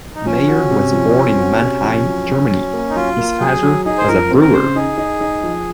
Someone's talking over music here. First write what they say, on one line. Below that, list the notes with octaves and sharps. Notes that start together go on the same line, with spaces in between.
Mayer was born in Mannheim, Germany; his father was a brewer.
D#4
F3 C#4
F#4
C3
F3
C4
F#4
C3
F3
F#3
F#3
F#3
A#3
D#4
F#3 F4
A#3
F#3 G#4
F#3
D#4 G#4
C5
F3 A#4
C4
A#4
C#3 C5
D#4 G#4
D#4
D#4
F3